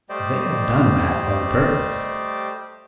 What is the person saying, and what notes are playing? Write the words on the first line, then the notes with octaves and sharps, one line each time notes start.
They have done that on purpose.
G3 A3 G4 C5 D5 D#5